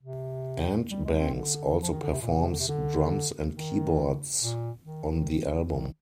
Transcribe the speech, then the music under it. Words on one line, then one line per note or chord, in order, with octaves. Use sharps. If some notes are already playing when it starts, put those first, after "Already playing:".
Ant Banks also performs drums and keyboards on the album.
C3
G3
G#3
C4
D3
F3
D#3
D3
C3
A#2
C3
D3
C3
D3
D#3
A#2
D#3
D#3